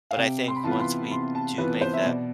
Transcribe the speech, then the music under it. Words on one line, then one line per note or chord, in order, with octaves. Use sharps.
but I think once we do make that,
F5
C3 G5
C6
B5
E3 B3 F4 A5
B5
C6
C3 C6
A5
E3 B3 F4 B4
C5
E5
B2 D5